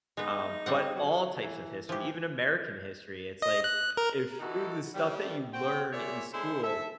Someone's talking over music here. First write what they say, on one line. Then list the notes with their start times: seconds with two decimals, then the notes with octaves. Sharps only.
um, but all types of history, even American history, it's like if, eh, the stuff that you learn in school
0.17 G#3 B3 D#4
0.66 G3 C4 F#5
0.95 F#3
1.42 E3
1.89 E3 F3 G4
3.42 D#5
3.64 F#6
3.97 A#4
4.40 D#3 E3 D#4 F#4 A4
4.94 A#2 F3 G3
5.53 C4 F#4 C5 G5
5.92 A#2 G#4 C#5 D5 E5
6.33 G#3 D4 E4 A4 C5
6.63 A4 E5